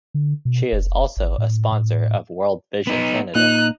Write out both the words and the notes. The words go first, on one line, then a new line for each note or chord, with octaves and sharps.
She is also a sponsor of World Vision Canada.
D3
B2
F1
G#1
A2
A2
B3 D#4
A#2 D#4 F#6